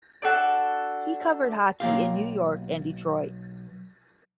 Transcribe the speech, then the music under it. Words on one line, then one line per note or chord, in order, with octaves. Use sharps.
He covered hockey in New York and Detroit.
D4 F#4 A4 D5
B1 A#3 G4 F5